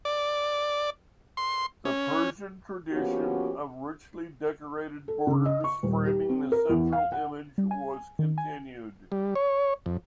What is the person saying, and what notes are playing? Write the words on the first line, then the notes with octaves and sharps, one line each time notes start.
The Persian tradition of richly decorated borders framing the central image was continued.
D5
C6
C#4
F3 A#3 B3 C#4 F#4 G4
A4
C#3
D#5
C#6
D#1
G4
C4
A#4
E2
F5
F#5
G3
G#5
D#3
G#5
G3
C#5
F2